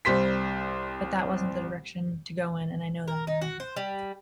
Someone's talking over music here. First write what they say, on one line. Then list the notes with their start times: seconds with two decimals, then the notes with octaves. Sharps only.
But that wasn't the direction to go in, and I know that now.
0.05 C2 G3 C5 B6
3.08 A#4
3.27 D#4
3.42 F#4
3.60 C5
3.76 G3